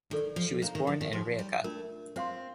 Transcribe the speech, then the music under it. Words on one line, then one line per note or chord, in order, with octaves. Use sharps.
She was born in Rijeka.
D#3 D4 A4 D5
F3
D#3 C5 F5 A#5
D#3
F3
D#3
F3 D#4 G4 C5 G5 C6
G3
A3 D4 F4 A#4
C4 F4 C5 F5 C6